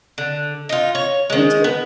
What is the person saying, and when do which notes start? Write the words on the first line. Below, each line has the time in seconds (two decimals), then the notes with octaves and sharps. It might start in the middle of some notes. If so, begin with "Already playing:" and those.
Me too.
0.18 D3
0.69 D#4 F4
0.95 C#5
1.30 D#3 G#3
1.64 B3